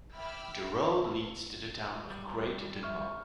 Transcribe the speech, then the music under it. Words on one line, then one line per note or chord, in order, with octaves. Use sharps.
The road leads to the town of Great Dunmow.
E5 G5 B5 D6 E6 F6
G3
E5 C#6 F6